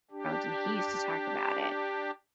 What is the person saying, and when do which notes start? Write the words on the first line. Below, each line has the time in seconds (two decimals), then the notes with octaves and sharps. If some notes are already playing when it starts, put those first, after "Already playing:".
Thrones," and he used to talk about it.
0.11 D4 G4